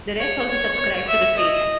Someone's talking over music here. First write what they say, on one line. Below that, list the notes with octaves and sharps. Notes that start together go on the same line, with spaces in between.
The rest also subscribed to "The State".
C#5
C#5
C#5
E5
D#5